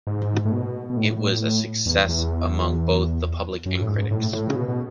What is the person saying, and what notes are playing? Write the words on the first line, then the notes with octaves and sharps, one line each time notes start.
It was a success among both the public and critics.
G#2
A2
B2
B2
A2
E2
E2
F#2
A2
G#2
A2
A2
C#3
B2
B2